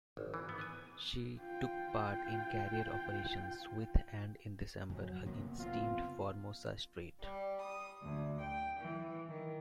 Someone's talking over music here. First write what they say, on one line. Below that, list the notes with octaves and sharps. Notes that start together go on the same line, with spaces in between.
She took part in carrier operations with and in December again steamed Formosa Strait.
G#1
E3
B3
G#5
F4 G5
F2 F#3
C3 A#3 B3
F#1 C4 F4
G3
D#6
D2
G5
E3
D#3